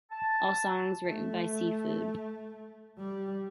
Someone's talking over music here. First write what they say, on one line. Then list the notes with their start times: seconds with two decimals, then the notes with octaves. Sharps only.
All songs written by Seafood.
0.11 A5
1.05 A3
2.97 G3